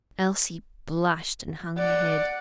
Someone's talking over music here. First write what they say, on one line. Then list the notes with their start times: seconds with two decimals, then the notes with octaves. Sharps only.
Elsie blushed and hung her head.
1.78 D5 F#5